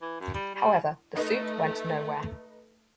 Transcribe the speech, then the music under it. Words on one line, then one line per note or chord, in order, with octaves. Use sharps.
However, the suit went nowhere.
E3
F#2
G3
G3
A3 D#4 B4 D#5